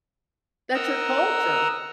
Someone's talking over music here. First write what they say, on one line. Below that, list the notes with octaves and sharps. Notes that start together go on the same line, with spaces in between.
that's your culture.
A#4 D#5 F#5 A#5 E6